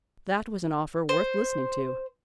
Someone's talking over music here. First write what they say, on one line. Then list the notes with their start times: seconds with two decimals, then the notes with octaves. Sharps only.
That was an offer worth listening to.
1.09 C5